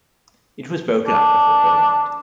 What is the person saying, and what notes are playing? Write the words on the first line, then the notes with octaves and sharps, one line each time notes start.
It was broken up before daylight.
D4